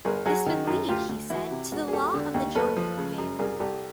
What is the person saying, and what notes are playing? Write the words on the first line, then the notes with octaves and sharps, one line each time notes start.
This would lead, he said, to the law of the jungle prevailing.
G1 G#4 A#4
F#3 F#4 G#4
D#3
F#2
D2 F4 G4
D2
E3 E4 F#4
C3
E1 F#4 G#4
G#4
E1 G4 A4
D3
D#2
F#1 A4 B4
F3
C#3
F#2
C2 G#4 A#4
C2 G4 A4